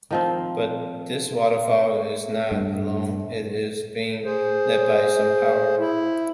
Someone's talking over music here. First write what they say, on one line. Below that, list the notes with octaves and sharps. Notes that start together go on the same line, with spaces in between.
But this waterfowl is not alone; it is being led by some Power.
D#3 F3 C4
G2
G#4 C5
E4